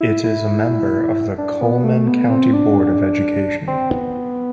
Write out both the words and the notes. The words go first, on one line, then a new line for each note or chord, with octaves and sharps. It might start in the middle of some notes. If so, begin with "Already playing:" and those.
It is a member of the Cullman County Board of Education.
E4
E4
D4
B3
A3
B3
C4
D4
C4
B3